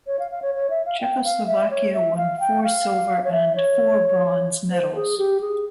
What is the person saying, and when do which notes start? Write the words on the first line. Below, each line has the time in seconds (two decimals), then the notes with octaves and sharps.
Czechoslovakia won four silver and four bronze medals.
0.07 C#5
0.19 F5
0.31 F5
0.42 C#5
0.55 C#5
0.70 E5
0.86 F5
1.01 G5
1.24 F5
1.47 E5
1.71 C#5
1.93 E5
2.17 F5
2.40 G5
2.63 F5
3.24 C#5
3.32 E5
3.56 C#5
4.71 C5
4.95 G#4
5.18 G4
5.41 G#4